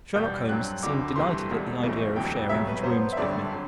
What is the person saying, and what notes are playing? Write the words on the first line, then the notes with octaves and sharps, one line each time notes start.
Sherlock Holmes seemed delighted at the idea of sharing his rooms with me.
E2 B2 G3 G6
G2 F#3 C4 F#6
D2 D3 A3 D6
C2 C3 E3 A3 C6
E1 E2 C3 G3
B1 A2 E3 A3
E1 D2 C3 E3 G5
C2 B2 F#3 A3 E5
B4
F#2 F#3 B3 C5
E5
A1 G2 D3 A3 C4 D5
D3 F#3